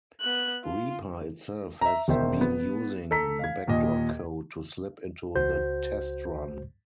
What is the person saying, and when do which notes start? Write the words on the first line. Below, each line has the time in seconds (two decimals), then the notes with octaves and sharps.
Reaper itself has been using the backdoor code to slip into the test run.
0.21 B3 F#6
0.64 F4
1.81 E5 A#5
2.08 E1 B2 D#3 C5 E5
2.41 B3
3.11 A4 A#5 B6
3.39 F5 G#6
3.68 D#2 A#2 D#5
5.35 C#2 F#4 C5 G6